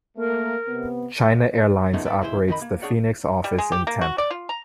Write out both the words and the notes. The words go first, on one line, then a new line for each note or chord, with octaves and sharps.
China Airlines operates the Phoenix office in Tempe.
A3 A#3 A#4
C3 B3
F#2 C#3 F3 A3 B3 D#4
G#2 A#3 B4 G5 A5
D#2 E4 G#4 C5
F2 D#3 A#4 D#5 B5
A#3
D4 G#4 C#5 D5 F#5
G3
G#3
G4
A#3
F#4
D5
F4
A#5